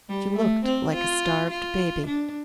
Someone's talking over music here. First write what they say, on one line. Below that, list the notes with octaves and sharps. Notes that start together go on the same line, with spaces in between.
She looked like a starved baby.
G3
A3
C4
F4
F4
D4